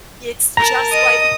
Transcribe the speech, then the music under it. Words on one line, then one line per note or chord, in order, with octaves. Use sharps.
it's just like
A#4 A5 A#5
D#5 D#6